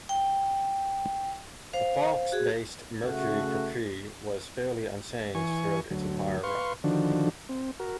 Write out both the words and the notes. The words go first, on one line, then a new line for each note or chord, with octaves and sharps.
The Fox-based Mercury Capri was fairly unchanged throughout its entire run.
G5
C5 F5
F#4 G#4
C#3 A3 F#4
E3 G#5 C#6
D2 F#3
B4 F5 C6 C#6
D3 D#3 F3 D4 F#4
C4
F#4 A#4